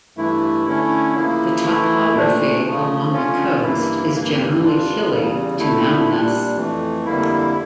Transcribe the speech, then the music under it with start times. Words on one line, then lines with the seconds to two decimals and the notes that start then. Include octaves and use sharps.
The topography along the coast is generally hilly to mountainous.
0.17 G2 E3 A3 E4
0.66 D3 A3 C#4 E4
1.16 C#3 F3 A#3 E4
1.65 E3 A3 E4
2.14 A#2 A3 D4
2.63 C#3 F3 A3
3.12 D3 F3 C#4 F4
3.61 G2 E3 A#3 E4
4.10 G2 E3 A#3
4.59 F2 E3 G3 D4 F4
5.09 E2 C#3 G3
5.58 D3 A3 E4
6.07 A#2 G3 D4
6.56 F2 E3 A3
7.06 F2 D3 G3 A#3 E4